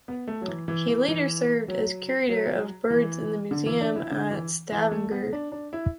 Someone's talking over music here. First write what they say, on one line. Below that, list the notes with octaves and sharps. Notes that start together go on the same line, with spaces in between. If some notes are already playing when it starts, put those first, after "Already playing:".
He later served as curator of birds in the museum at Stavanger.
B3
A3
F#3
E3
E3
E3
E3
F#3
F#3
E3
D3
E3
D4
E4
D3
E3
E3
A3
B3
D4
D4
E4